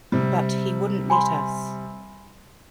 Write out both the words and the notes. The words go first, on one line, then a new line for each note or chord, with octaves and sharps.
But he wouldn't let us.
C3 G3
G#5 B5 C6